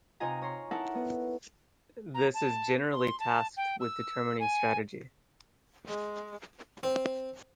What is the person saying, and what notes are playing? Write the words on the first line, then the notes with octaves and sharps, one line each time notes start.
This is generally tasked with determining strategy.
C3 D#4 F4 D#5 G#5 A#5
C#5 A#5 C6
D#4 E4 A4 A#4 F#5 A5
B3
A#5
A5
C6
A5
G5
E6
G#5
G#3
C4